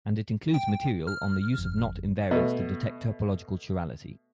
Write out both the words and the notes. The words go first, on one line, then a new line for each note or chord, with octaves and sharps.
And it includes material on the use of knot invariants to detect topological chirality.
G5
F6
G1 F2
B2 A3